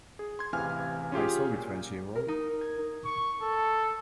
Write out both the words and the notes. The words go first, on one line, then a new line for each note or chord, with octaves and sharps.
I saw it when she rolled.
G#4
C6 G#6
A1 C3 E3 F5 G#5 F6
C#4 F4 G4 G#4
A#2
A#4
D#4
G#6
C#6
A4